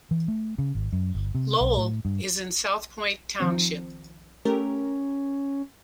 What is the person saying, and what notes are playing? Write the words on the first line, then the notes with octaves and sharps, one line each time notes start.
Lowell is in South Point Township.
E3
A3
C#3
G#1
F#2
G1
C3
B1
A2
G2
D#3 F3 C4
A3 C#4 G4 A#4